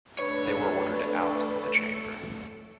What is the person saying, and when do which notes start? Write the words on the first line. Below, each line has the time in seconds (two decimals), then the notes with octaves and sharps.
They were ordered out of the chamber.
0.19 A3 D4 A4 B4 C#5